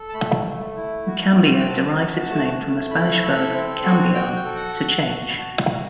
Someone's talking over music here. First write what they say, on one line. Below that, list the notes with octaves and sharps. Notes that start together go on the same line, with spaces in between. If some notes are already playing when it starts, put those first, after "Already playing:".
Cambia derives its name from the Spanish verb "cambiar", to change.
Already playing: A4
A5
A3 B5
A3
E4
F#4
C4
G5
F#4 A5
F#4
A3
A3
E4 B5
A4
C4
F#4
F#4 G5
G5
A4
F#5
F#4
F#4
B5
F#4 A5
B5
F#4